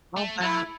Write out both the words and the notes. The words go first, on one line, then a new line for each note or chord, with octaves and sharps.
Oh, wow.
A3
A3 E4